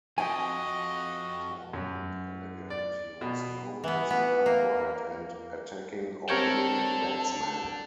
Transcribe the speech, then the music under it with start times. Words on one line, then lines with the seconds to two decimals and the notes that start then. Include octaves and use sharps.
Tall and elegant, he was known as an upright and attacking opening batsman.
0.18 F2 F#4 D#5 G5 G#5
1.73 F#2
2.70 D5
3.21 B2
3.84 E3 B3
4.10 B3
4.46 A#3
6.29 C4 D4 G4 A4 A#4 C#5 G5 A5